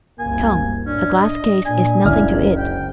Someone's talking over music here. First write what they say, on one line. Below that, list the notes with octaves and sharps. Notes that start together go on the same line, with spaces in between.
Come, a glass case is nothing to it.
F#1 C2 A#3 G#5
A2 C#4 D4
D#5
A#2 D4 G#5
F#1 C#2 C#3 E4 F6
G#2 G5